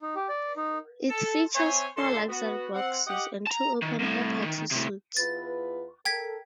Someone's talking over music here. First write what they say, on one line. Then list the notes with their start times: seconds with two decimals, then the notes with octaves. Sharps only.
It features four luxury boxes and two open-air party suites.
0.01 D#4
0.15 G4
0.29 D5
0.56 D#4
1.09 A4
1.55 C4 C5 C#5 E5 G#5
1.97 A#2 D3 A4 C6
2.28 B3 F#4
2.74 C4 F#5
3.07 G4 D#5 F#5
3.47 A5 A#5
3.83 D#3
4.00 C2 A2
4.44 D#3
4.72 A2 C3
5.17 E2 F4 B4 A6
6.05 A4 A#4 G5 G#6 B6